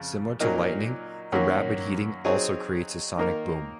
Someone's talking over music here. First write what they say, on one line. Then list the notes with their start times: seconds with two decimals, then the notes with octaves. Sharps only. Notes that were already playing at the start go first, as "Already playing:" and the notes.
Similar to lightning, the rapid heating also creates a sonic boom.
Already playing: F2 C#3
0.40 A#2 F#3 A#3 D#4 A#4
1.32 F#2 D#3 F#3 A#3 C#4
2.25 F#3 C4 D#4 G#4 C#5
3.18 D#3 A#3 D#4 A#4